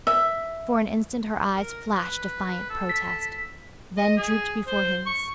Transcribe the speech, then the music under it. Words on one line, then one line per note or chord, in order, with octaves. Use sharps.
For an instant her eyes flashed defiant protest, then drooped before his.
E5
A#4
B4
A4
B6
D#5
G#4
C5
C#6